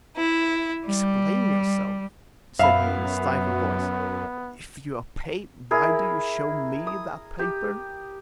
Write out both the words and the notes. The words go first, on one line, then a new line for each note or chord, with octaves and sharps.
"Explain yourself," said he, in a stifled voice--"if you are paid why do you show me that paper?"
E4
G3
F#2 B3 E5 F5 B5
E4 G#4 A#4
D#6
G4